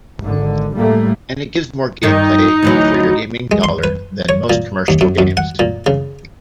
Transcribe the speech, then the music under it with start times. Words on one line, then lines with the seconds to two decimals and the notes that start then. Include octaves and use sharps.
And it gives you more gameplay for your gaming dollar than most commercial games.
0.20 G#1 D3
0.76 A2 G3 A3 A#3
2.03 G2 D#3 D#4
2.63 D2 E3 F#3
3.51 G#3
3.64 C6
3.84 B4
4.29 C#5
4.50 A#2
4.88 D#2
5.01 F#2
5.18 F#2
5.37 F#5
5.59 A#2
5.86 C#3